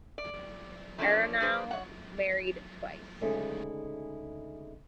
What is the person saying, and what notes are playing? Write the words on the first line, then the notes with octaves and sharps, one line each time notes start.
Aronow married twice.
D5
F3 A3 A#3 C#4 D4
D4 G#4 B4 C5
C#5 F#5
D2 C#3 G#3 D#4 E4 A4